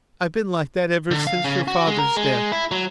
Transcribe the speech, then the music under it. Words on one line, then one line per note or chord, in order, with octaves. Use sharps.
I've been like that ever since your father's death.
D3
F5
C#3
F#4
G#3
A#4
G#3
E4
F#3